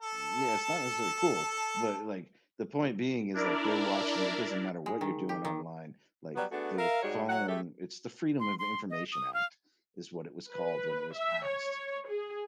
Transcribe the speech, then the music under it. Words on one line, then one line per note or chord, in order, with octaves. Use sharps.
yeah, it's not necessarily cool, but like, the point being is, like, they're watching you, it doesn't matter what you're doing online, like, the phone it's the Freedom of Information Act is what it was called when it was passed,
A4 A5
D4 E4 A#4 D5
G#3
D#3
G4
D#3
F#3 G3 B3
A3 B3 D4 F#4 G#4
A#4 E5 F5
G#2 G3 G#3 F#4 C#5
F#3 F#5
G#3 A3 G4 A4 E5
C6
C6
D#5
D#6
F5
B4
E5
C#5
G#4